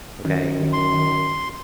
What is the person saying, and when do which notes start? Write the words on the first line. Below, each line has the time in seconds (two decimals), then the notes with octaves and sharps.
okay? Y
0.25 F#2 D#3
0.73 C6